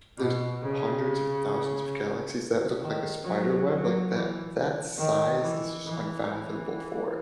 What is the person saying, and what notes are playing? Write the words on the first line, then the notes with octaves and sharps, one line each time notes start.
there's hundreds of thousands of galaxies that look like a spider web, like, that that size is just unfathomable for
B2
C#3
D#3
F#3
F#3
E3
D#3
E3
E3